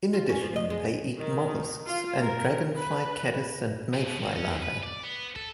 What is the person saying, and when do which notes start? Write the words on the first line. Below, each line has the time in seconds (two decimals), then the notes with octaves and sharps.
In addition, they eat mollusks and dragonfly, caddis and mayfly larvae.
0.14 F4
0.29 C#4
0.41 F3
0.56 D#5
0.70 G#3
1.19 D#3
1.86 F4
2.22 A#4
2.76 B4
3.94 C3
4.07 B2
4.20 A#2
4.35 C#4
4.50 F#2
4.62 B4
4.83 D5
5.03 B3
5.36 A4